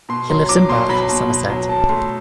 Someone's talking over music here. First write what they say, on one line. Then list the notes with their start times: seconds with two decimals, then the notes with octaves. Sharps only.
He lives in Bath, Somerset.
0.09 B2 C6
0.30 F#3 C6
0.49 F#3 D6
0.69 B2 C6
0.89 F#3 B5
1.09 B2
1.30 B2
1.50 F#3
1.69 F#3 A5
1.89 A3 C6